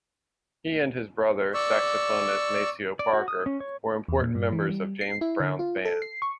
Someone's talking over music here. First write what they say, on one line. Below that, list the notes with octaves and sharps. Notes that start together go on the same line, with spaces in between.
He and his brother, saxophonist Maceo Parker were important members of James Brown's band.
D5 C#6 E6
D5
F#4
D#6
C#4
C#5
E2
A#2
G2
E3
G3
C7
E4
D3
F4
A4
C7
C#6